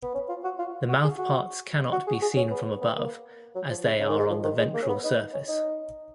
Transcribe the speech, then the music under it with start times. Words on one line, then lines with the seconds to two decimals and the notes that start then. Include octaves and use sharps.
The mouthparts cannot be seen from above as they are on the ventral surface.
0.03 B3
0.15 C#4
0.29 F4
0.44 F#4
0.59 F4
0.89 F#4
1.04 G#4
1.18 F#4
1.92 F#4
2.07 G#4
2.22 G#4
2.36 C#4
2.51 B3
2.81 B3
2.96 A#3
3.55 F#3
3.70 F3
3.85 C#3
4.00 C#3
4.10 D#3
4.19 G#3
4.30 F3
4.44 D#3
4.59 G#3
4.74 A#3
4.82 C#4
4.89 B3
5.04 D#4
5.19 D#4
5.34 C#4
5.48 D#4